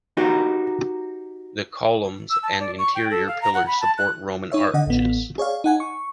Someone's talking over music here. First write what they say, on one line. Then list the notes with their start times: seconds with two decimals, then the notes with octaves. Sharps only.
The columns and interior pillars support roman arches.
0.17 D#4 F#4 G4 A#4
2.30 E6
2.43 A5
2.60 D5
2.79 C#6
2.95 G5
3.10 A4
3.28 F5
3.42 A#5
3.54 F#5
3.67 B5
3.81 A5
3.98 F#6
4.52 D#4 C#5 E5
4.74 D3 D#5 F#5
4.87 A1 B3
5.38 G#4 C#5 D5 F5
5.64 D#4 F#5 G#5
5.80 C#6